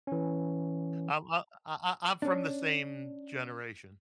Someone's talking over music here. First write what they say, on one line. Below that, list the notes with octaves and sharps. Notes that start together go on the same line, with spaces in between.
Um, uh, I I I'm from the same generation.
E3 C#4
C#4 D4